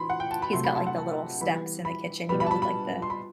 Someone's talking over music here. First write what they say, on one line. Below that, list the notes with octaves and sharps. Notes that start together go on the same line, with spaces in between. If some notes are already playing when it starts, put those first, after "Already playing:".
he's got, like, the little steps in the kitchen, you know, with, like, the
Already playing: E3 B5 C6
F#5
G5
A5
B5
C3 F#3 A3 C6
B5
A5
F#5
A5
E3 G3 B3 B5
B5
B2 G3 B3 B5
B5
A5
B5
B5
C6
B5